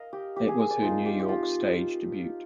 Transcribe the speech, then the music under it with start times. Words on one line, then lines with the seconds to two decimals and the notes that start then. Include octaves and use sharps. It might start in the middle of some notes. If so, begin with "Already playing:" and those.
It was her New York stage debut.
Already playing: A#4 D#5 F5
0.13 G4
0.36 G4
0.48 G#4
0.59 A#4
0.70 D5
0.82 F3 C4 D#4 F4
1.06 G4
1.20 G4
1.29 F4